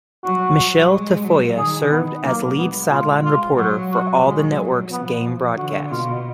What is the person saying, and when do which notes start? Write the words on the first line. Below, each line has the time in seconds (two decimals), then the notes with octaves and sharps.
Michele Tafoya served as lead sideline reporter for all of the network's game broadcasts.
0.24 F#3 F#4
0.58 F#3
0.91 G#3
1.24 F#3
1.57 D#3 G#4
1.91 B3
2.24 F#3 A#3
2.57 G#3 B3
2.91 F4
3.24 F4
3.58 F#3 F#4
3.91 F#4
4.24 F#3 G#3
4.91 F3 B3
5.57 D3 F#4
5.91 B2 F4